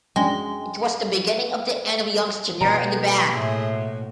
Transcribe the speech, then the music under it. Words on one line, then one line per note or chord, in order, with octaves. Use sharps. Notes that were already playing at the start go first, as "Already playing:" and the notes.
It was the beginning of the end of Young's tenure in the band.
F#2 G#3 D4 G5 G#5 G7
B2 A#3 B3 D#4 G4 A#5
A2 G#4 E5 C6
F#4